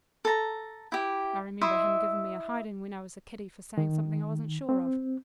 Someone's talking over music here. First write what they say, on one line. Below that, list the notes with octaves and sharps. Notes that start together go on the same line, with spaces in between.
I remember him giving me a hidin' when I was a kiddy for saying something I wasn't sure of.
A4 A#5
E4 G4
E4 D#5 E5 C6
D#3
C4